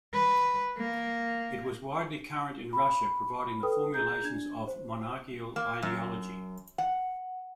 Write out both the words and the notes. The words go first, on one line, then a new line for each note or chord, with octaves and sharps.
It was widely current in Russia providing the formulations of monarchical ideology.
B4
A#3
B5
A4 B4 G5 D#6
G#4 A#5 G6
D4 G#6
C5
A#3
F#2
F#5